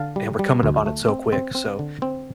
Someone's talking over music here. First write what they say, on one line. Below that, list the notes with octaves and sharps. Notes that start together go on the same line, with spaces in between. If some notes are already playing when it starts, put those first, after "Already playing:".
and we're coming up on it so quick, so,
Already playing: D3 F5 A5
G3
G3
D2
A3
C4
C4
C4
D3
C4